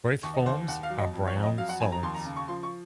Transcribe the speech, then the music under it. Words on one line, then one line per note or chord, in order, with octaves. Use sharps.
Both forms are brown solids.
D#2 C#6
D#5
D#2 C5
D#2 F#5
F5
F#3
D#5
F2
C#5
F2
D#5
F#3 F5
F#5
F2 G#5
A#5
D#2 C6
A#5
C#3
C#6
F3 C6
C#6